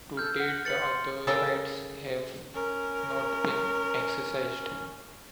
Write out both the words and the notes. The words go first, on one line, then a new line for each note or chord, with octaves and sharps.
To date the other rights have not been exercised.
A4 F6 G6
F#5
B4 A6 C#7 F#7
C6
C#3 A4 A#4 G5
C#4 A#4